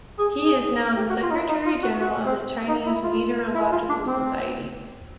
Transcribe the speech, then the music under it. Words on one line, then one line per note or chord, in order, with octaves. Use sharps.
He is now the Secretary General of the Chinese Meteorological Society.
G#4
G#4
G4
F#4
F4
D#4
E4
D#4
F4
F#4
F#4
C4
D#4
E4
F4
E4
F4
D4
C4